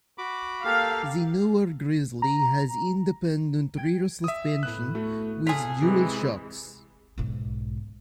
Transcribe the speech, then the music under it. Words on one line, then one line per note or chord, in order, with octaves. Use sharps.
The newer Grizzly has independent rear suspension with dual shocks.
F#4 B5 D6
A#3 G4 A4 F5
A#5
G5 G#6
E5 D#6
A2 B3 F#6 E7
A3 F#4
F4 G#4 A4 B6
C3 E3 G#3
B1 G#2